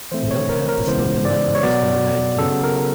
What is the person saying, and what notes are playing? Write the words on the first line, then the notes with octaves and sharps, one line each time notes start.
We don't have the spoken language standardised yet.
E3 A3 C4 C5
C#5
A#4
A#4
C#3 E3 G#3 B3 C5
D5
C#5
B2 F#3 B3 D5
C#3 F#3 B3 A4
A#4